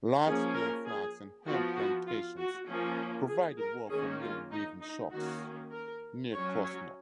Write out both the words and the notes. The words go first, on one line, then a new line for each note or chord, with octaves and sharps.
Large-scale flax and hemp plantations provided work for many weaving shops near Krosno.
F3 A#3 C#4 G#4
A#4
G#4
F3 B3 F#4
F#4
F4
F#4
F3 A#3 C#4
G#4
A#4
D#3 A#3 C#4 G#4
F4
D#4
D#4
D#3 A#3 C#4 F#4
A#4
F#3 C#4 C#5
C#5